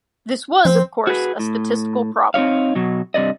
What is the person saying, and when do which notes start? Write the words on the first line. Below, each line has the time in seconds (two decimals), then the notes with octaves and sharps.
This was of course a statistical problem.
0.65 F3 C4
1.07 F#4 G#4 B4
1.39 A2
2.34 C4 D#4 F4 C#5 F5
2.75 B2 F#3
3.14 G2 C3 D5 D#5